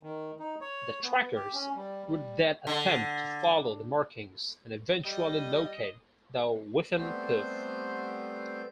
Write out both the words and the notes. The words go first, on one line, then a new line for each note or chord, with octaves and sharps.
The trackers would then attempt to follow the markings, and eventually locate the Whiffenpoof.
D#3
D#4
C#5
B3
G4
C#4
G3
G3
D3
G3 D#5
G3 A3 B3 C4 C5